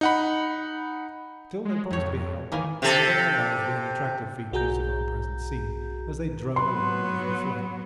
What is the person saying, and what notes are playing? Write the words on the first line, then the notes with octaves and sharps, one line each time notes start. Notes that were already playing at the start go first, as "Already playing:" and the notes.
Still they promise to be a help, and they are lively and attractive features of our present scene as they drone along over the floe.
D#4 F#5 B5
G#3
F2 A2 C#5
D#3 E3 A#3 G#5
C3 A4
B1 F#4 G#4 A#5 G6
F#3 B3 B4 C6